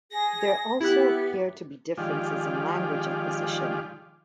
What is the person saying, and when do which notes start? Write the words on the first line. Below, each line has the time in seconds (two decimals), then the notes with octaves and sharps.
There also appear to be differences in language acquisition.
0.11 G#4 A#6
0.81 B3 E4 G4 F#6
1.97 D#3 F3 G#3 F4 G4 D5